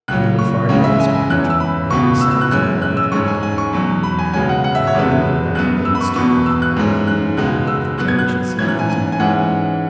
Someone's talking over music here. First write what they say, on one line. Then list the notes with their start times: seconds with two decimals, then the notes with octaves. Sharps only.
When they were far advanced on their journey they heard sounds of a large company upon the road; and prudently Robin bade Stuteley hide with him in the undergrowth until they should see who these might be.
0.08 C#2 C#3 F#3 C#4 F#6
0.39 C#6
0.69 C#2 C#3 E3 G#3 C#5
0.84 E5
0.99 G#5
1.14 G#5
1.30 E2 E3 C#4 F#6
1.50 E6
1.60 B5
1.90 C#2 B2 B3 C#6
2.21 E6
2.31 E6
2.41 F#6
2.51 F#2 E3 G#3 C#4 F#6
2.82 F#6
2.97 E6
3.12 G#2 G#3 C#4 C#6
3.28 G#5
3.43 G#5
3.58 C#6
3.73 E2 B2 F#3
4.03 B5
4.19 G#5
4.33 C#2 B2 G#3 C#4 G#5
4.49 F#5
4.64 F#5
4.75 E5
4.87 C#5
4.94 E2 B2 G#3 B3 E5
5.55 F#2 F#3 B3 F#6
5.85 E6
5.95 B5
6.01 C#6
6.16 E2 B2 B3 C#6
6.46 E6
6.62 F#6
6.77 G#2 E3 G#3 C#4
7.07 F#6
7.37 C#2 B2 G#3 F#6
7.67 E6
7.98 B2 F#3 B3 F#6
8.08 G#6
8.19 F#6
8.59 G#2 E3 C#4 G#6
8.68 F#6
8.79 G#5
8.89 G#5
9.12 G#5
9.20 G#2 E3 G#3 C#4 F#5